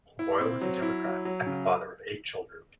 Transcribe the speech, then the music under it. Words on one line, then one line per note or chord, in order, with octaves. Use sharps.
Boyle was a Democrat, and the father of eight children.
E4
C4
F#3
E4
F#3
F#3
C#3